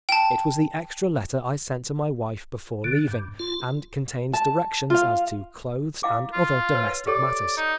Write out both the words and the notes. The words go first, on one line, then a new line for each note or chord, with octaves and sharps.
It was the extra letter I sent to my wife before leaving, and contains directions as to clothes and other domestic matters.
G5 A5
D3
G2
F4
A5
F4 F5
E4 F5 D6
F4
B4 C#5
G4 A4 C#5 D5
D#4